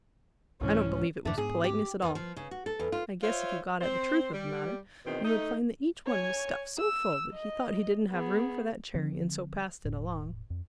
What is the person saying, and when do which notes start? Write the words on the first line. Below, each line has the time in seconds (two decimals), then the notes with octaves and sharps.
"I don't believe it was politeness at all. I guess if you got at the truth of the matter you would find that each one was stuffed so full that he thought he didn't have room for that cherry and so passed it along."
0.61 C2 G#2 E3 C#4
1.25 F2 G#2 D3 A3
1.38 G#2 B3 G#4
1.64 G4
2.02 E2
2.15 F3
2.36 C#3
2.51 F#4
2.66 A4
2.79 E2
2.92 F4
3.23 F4 C5 C#5 E5
3.81 C4 C5
4.33 G3
5.06 E2 B2 D#3 C4
5.24 A3 D#4
6.06 C#5 G#5
6.79 E6
7.34 D#5
8.11 B3 G#4
8.94 D3 F3 C4
9.85 E1 A2
10.50 F2